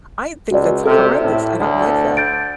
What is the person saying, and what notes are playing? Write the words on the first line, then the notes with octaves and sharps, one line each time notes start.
I think that's horrendous. I don't like that.
C#2 F#4 D5
C3 A4 F6
A2
D2
G6 A6 D7